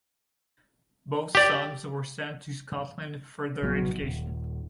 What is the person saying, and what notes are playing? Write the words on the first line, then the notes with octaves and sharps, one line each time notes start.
Both sons were sent to Scotland for their education.
G4 D5
A#1 F#3 G3 B3
D#1